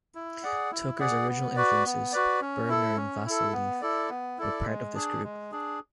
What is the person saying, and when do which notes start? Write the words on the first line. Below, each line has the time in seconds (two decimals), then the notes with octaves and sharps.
Tucker's original influences, Bergner and Vassilieff, were part of this group.
0.15 E4
0.43 G#4 D5 F#5
0.71 E4
1.00 G#4 D5 F#5
1.28 B3
1.56 F#4 B4 D5
1.85 B3
2.13 F#4 B4 D5
2.41 C#4
2.68 E4 A4
2.97 C#4
3.25 E4 A4
3.53 B3
3.81 E4 A4 D5
4.10 B3
4.38 E4 A4 D5
4.66 G#3
4.94 D4 G#4
5.23 G#3
5.51 D4 G#4